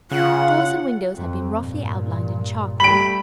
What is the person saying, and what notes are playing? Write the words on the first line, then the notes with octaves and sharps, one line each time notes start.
Doors and windows had been roughly outlined in charcoal.
C#3 F4 F#5
F2
G2 A#2
G3 A3 B5 D7 F#7